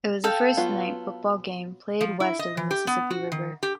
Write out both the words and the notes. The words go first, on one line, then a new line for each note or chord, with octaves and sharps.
It was the first night football game played west of the Mississippi River.
A4 F5 G5
F#3 B3 F4
F3
E4
D#5
E3
G4
B3
F#4
D#3
G4